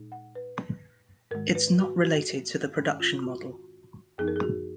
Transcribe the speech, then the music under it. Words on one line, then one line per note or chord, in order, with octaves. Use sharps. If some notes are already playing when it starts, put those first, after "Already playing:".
It's not related to the production model.
Already playing: A#2 G#3 D#4
F#5
B4
G#2 D#3 G#3 A#4
B4
F#4
F#4
G#2 D#3 G#3 C#4
F4
F#4
F#2 F3 B3 D#4 G#4
A#4
G#4
F#4